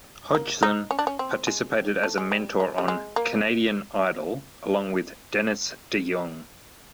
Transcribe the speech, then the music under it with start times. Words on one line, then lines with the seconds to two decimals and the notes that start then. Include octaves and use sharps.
Hodgson participated as a mentor on "Canadian Idol" along with Dennis DeYoung.
0.35 A#3
0.63 D#4
0.91 C#4
0.99 D4
1.07 C#4
1.19 C4
1.47 G#3
2.03 A3
2.18 G#3
2.32 G3
2.60 G#3
2.78 G3
2.88 G#3
3.16 A#3